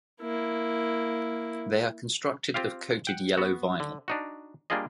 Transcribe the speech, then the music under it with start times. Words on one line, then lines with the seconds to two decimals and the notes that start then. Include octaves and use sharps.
They are constructed of coated yellow vinyl.
0.21 A#3 E4
2.54 C4 F4 G4 F5
3.07 F#5 G5
3.38 B3 F#4
3.80 D3
4.08 D4 D#4 F#4
4.70 G3 A#3 D4 F4 G#4 D#5